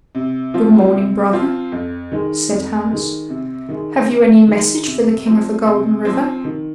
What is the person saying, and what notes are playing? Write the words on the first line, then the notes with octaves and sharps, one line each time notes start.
"Good morning, brother," said Hans; "have you any message for the King of the Golden River?"
C3
F3 C4 F4
C3
F3 C4 F4
F2
D#3 G#3
F2
D#3 G#3
C3
D#3 G#3
C3
D#3 G#3
C3
F3 C4
C3
F3 C4
D#3